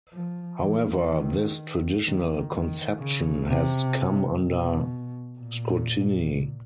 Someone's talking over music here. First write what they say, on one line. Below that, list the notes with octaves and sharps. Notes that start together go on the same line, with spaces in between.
However, this traditional conception has come under scrutiny.
F3
E3
D#3
D#3
D#3
C#3
C3
B2
A#2